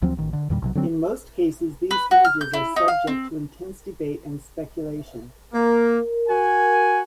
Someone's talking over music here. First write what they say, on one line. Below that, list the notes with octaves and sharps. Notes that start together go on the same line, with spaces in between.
In most cases these images are subject to intense debate and speculation.
D2 F3 F#3 C4
A1 D#3
D3
E2 A#2 D#3 G3
B1 C3 F#3
D3 F#3 C4
B4
F#4
F6
G6
E4
D#4
F5
C4
A#3 A#4
F#4 G#5